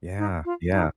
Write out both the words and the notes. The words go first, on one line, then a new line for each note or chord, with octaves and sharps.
yeah, yeah.
D#4
F4
D#4